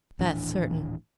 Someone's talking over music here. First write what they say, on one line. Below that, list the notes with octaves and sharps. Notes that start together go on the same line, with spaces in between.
"That's certain."
D#1 A2 E3 D4